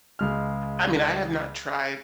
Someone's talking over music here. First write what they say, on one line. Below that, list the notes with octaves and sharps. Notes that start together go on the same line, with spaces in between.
I mean, I have not tried
C#2 G#3 F6